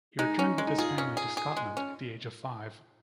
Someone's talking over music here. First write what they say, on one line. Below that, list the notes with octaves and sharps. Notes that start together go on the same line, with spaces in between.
He returned with his family to Scotland at the age of five.
G#3 D#4
C#4
G#3
D#4
F4 G#4
C#4
G#4
G#4
G#3
C#4